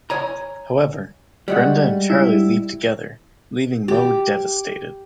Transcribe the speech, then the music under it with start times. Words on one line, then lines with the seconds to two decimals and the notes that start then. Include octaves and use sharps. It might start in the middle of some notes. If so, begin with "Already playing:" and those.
However, Brenda and Charlie leave together, leaving Mo devastated.
0.10 C#5 G#5 A#5
1.48 G3 G#3 F#4
2.10 E4
3.88 G4